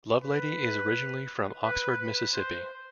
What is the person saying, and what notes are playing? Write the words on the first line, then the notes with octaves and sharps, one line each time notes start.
Lovelady is originally from Oxford, Mississippi.
B4
B4
B4
C5